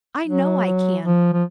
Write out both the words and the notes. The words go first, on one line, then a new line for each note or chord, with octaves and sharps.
I know I can.
F#3
F3
F3